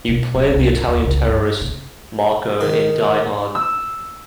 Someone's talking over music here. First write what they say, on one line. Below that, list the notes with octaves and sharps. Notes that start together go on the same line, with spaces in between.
He played the Italian terrorist Marco in "Die Hard".
B2
D#1
C2
G#2
D#2
C#2
G2
C#3
D#3
E6